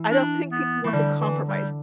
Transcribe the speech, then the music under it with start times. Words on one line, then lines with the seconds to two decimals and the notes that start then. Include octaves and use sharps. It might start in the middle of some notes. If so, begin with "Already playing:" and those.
I don't think people want to compromise.
Already playing: E3
0.11 D4
0.52 B3
0.84 E3 A3
0.93 D3 G3
1.21 E3
1.48 G3